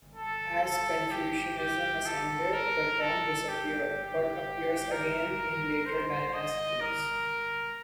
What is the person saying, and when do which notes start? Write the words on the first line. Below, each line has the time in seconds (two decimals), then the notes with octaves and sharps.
As Confucianism ascended the term disappeared, but appears again in later dynasties.
0.15 A4
0.63 A4
1.11 G4
1.59 G4
2.06 A4
2.53 A#4
3.01 A4
3.49 G4
4.92 A#4
5.86 C5
6.34 D#5
6.81 A#4